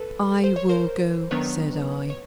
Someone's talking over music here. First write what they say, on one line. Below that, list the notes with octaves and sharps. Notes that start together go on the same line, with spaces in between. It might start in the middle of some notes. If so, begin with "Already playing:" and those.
"I will go," said I.
Already playing: A4 B4
C5
C#5
A#4 C5
F#2 D#3 F#3 B3 D4 B4 C#5
C#5